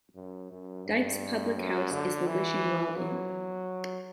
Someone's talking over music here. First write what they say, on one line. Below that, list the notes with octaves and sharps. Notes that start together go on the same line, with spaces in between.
Dyke's public house is The Wishing Well Inn.
F#2
F#2
G2
F#2
D3
E3
F#3